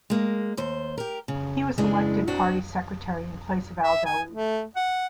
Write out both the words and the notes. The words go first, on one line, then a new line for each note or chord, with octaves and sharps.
He was elected party secretary in place of Al-Daud.
G#3 A#3
D#2 C5
G4 A#4
C#3
C#3 E3 G#3 D4
C4 D4 F#4
E5
G#5
A3
F#5